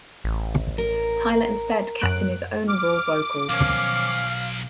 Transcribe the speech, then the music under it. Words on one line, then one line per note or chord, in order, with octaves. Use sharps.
Tyler instead kept in his own raw vocals.
A1
A#4
F#2 F#6 D7
D6 F6
B1 D#3 F3 C#4 F5